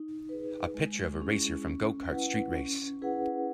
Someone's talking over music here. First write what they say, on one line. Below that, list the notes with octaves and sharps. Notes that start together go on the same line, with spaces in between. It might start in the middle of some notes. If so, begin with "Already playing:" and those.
A picture of a racer from gokart street race.
Already playing: D#4
G#4 B4
G#3
C#4 E4 G#4
C#4
E4 B4 F#5
C#4
E4 G#4 B4 F#5